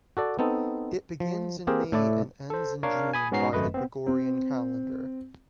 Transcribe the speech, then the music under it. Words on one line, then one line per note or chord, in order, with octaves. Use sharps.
It begins in May and ends in June by the Gregorian calendar.
F#4 A4 D5
B3 C4 D#4 A4
F3
A#3 C4 G4 G#4 A#4
A2 A3 E4 D5
A4 C5
D4 A#4 C#5 F5
G#5 B5 D#6
G#2 B3 C#4 F#4 A#5 C7
G#1 F#2 A3 B4 D#5
B3 C4
C4